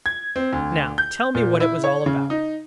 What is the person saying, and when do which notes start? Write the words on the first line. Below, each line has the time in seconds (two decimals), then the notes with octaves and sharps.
"Now tell me what it was all about."
0.06 G#6
0.36 C4
0.53 D2
0.98 G6
1.35 A#2
1.60 E4
1.84 C#5
2.06 C#3
2.30 D#4